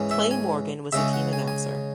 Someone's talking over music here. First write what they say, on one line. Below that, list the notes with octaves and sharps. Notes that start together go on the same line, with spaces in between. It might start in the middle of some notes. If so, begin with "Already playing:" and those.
Clay Morgan was the team announcer.
Already playing: G#2 E3 C#4
E5
G#5
C#3 G#3 C#4 E5
F#5
G#5
G#5